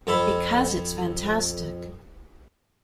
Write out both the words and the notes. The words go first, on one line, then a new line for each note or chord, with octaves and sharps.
Because it's fantastic.
F2 A4 A5 B5